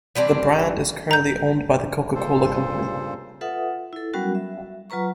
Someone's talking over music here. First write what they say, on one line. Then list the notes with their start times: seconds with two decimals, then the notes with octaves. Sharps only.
The brand is currently owned by The Coca-Cola Company.
0.15 E3 G3 C4 D4
1.11 A#5 G6
2.15 G2 A#2 C#3 A4 C5
3.41 F4 A4 B4 E5 F#5 D#6
3.93 E4 A4
4.13 F#3 G3 B3 C#4 F#4 A#4
4.35 E5
4.90 F#3 F4 B4 A#5 C#6